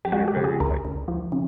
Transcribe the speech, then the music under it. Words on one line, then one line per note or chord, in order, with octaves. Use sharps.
And you're very like
G4
G#3 F#4
G4
C#3
G#4
D2 A#4
D2
F3
C#3